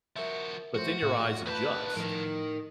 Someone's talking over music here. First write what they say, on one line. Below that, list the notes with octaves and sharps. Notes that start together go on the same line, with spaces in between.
but then your eyes adjust.
F3 F#4 A#4 E5
F3 A3 F#4 C5
A2 A3 F4
D#3 B4 A5 B5 G6
A2 F3 D#4 A#4